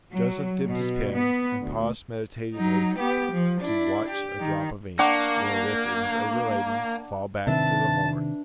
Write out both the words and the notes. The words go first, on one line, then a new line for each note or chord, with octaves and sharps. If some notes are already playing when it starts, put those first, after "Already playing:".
Joseph dipped his pen, and paused meditatively to watch a drop of ink, wherewith it was overladen, fall back into the horn.
F#3
B2
B3
D2
F#3 D#4
B3 G4
F3
D4 E4
G4
D#3
A#3 D4 F#5 C#6
C3 D#3 C4 D4 B4 E5 A5